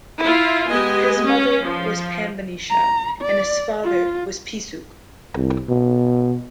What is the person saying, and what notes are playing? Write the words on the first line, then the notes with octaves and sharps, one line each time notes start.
His mother was Panbanisha and his father was P-suke.
E4 F4
G#3 B3 G4 D#5 G#5
C#4
F3
A#5
D5
F4
C2
B2